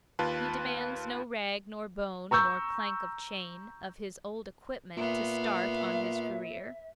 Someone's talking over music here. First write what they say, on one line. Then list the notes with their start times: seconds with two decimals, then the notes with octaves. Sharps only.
He demands no rag nor bone nor clank of chain of his old equipment to start on his career.
0.19 D#2 F4 B4 A5
2.31 A#5 C#6 E6 G6
4.97 A#2 B3 E5 F5